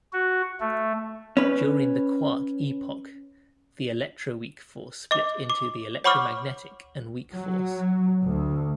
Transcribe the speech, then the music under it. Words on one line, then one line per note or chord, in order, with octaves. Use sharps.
During the quark epoch, the electroweak force split into the electromagnetic and weak force.
F#4
A3
C#4 B4
D#5 D6
D6
C#5 F#5 B5 C#6 D6 F6
F#3
D2